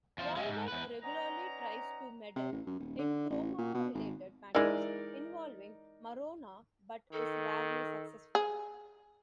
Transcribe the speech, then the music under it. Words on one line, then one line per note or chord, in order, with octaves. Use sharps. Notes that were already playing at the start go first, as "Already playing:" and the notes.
Walnut regularly tries to meddle in Chroma-related matters involving Marona, but is rarely successful.
E2 F4 C5
G#3 B3 C#4 G#4 D#5 E5
G#2
E2 B4
C#4 D#4 B4 D5 F#5 A#5
C3
A1
F#2
D#1
D3
A1
A#2
B2
G#1
E3 G#3 D#4 A#4 D5
D#3 A4
G#4